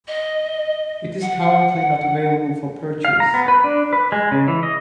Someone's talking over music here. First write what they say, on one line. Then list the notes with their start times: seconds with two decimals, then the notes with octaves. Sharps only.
It is currently not available for purchase.
0.08 D#5
1.21 F#5
3.05 F5
3.20 A#5
3.34 B3
3.48 B4
3.64 D4
3.93 B4
4.12 G#3
4.32 C#3
4.48 E3
4.63 D#5